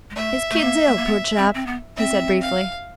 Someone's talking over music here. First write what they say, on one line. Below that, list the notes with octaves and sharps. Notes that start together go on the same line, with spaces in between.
'His kid's ill, poor chap,' he said briefly.
G#3
A3 E5
A3
A#3
A3
A#3
B3
C4
C4
B3
C4 E5
F5